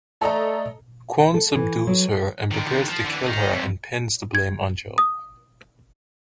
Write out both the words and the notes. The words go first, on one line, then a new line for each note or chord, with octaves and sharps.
Kwon subdues her and prepares to kill her and pins the blame on Jo.
A3 A4 D5 D#5 A#5
A4
E3
F#3
D3 D#3
F3
D3 E3
D#3 D#4
F2
G#6
D#6